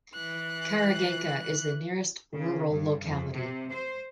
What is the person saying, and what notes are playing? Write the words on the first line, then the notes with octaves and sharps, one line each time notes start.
Karagayka is the nearest rural locality.
E3 F#6
C#3
G2
F2
C3
C5